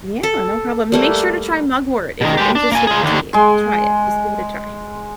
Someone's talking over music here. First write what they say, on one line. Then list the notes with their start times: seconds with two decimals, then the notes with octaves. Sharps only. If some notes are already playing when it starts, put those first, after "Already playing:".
Yeah, no problem. Make sure to try mugwort if you're interested in tea, try it, just give it a try.
0.23 A4
0.92 G3 A3 A#3
2.21 B2 D#3
2.37 G#3 G4
2.55 D4
2.72 A#3 G#5
2.87 F4 G#4
3.02 D#2 D3
3.33 G#3 C6